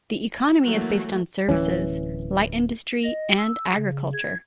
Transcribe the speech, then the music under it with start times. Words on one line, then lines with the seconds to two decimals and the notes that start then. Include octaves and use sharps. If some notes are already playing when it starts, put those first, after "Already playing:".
The economy is based on services, light industry and agriculture.
0.64 E3 F#3 A3 A#3
1.49 D1 E2 E3 C#4
3.04 D#5
3.36 E6
3.74 C#3
4.13 G#6